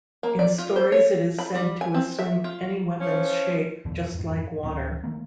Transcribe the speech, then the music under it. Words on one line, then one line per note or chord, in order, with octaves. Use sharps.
In stories it is said to assume any weapon's shape, just like water.
A#3
D5
F4
C5
C#5
B5
G3
G#5
C4
E5
F4
E3 F3 C#4
B1 E2 G2 D3
F2 G#2
D1 D2 D#3 C#4
D#3 A3 A#3